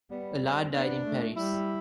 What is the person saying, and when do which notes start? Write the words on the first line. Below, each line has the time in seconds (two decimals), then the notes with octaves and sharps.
Alard died in Paris.
0.10 G3 B3
0.42 C4
0.74 B3 D4
1.05 A3
1.36 G3 E4